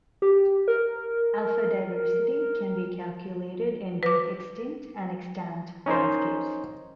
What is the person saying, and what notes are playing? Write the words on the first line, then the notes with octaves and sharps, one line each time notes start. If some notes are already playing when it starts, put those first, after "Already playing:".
Alpha diversity can be calculated in both extinct and extant landscapes.
G4
A#4
B4 D6
C#4 D#4 A#4 C5